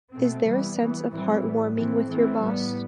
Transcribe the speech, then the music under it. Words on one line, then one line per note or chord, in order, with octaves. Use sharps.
Is there a sense of heartwarming with your boss?
B2 A3 C4
C3 E3 G3 B3
E3 B3
A2 E3 G3 C4
A2 G3 B3
E3 A3 C4
E3 A3 C4
A2 G3 B3